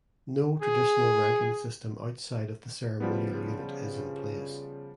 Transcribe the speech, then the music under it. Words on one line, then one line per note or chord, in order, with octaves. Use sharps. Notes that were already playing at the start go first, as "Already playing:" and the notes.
No traditional ranking system outside of the ceremonial unit is in place.
G#4
C#3 F3 G3 B3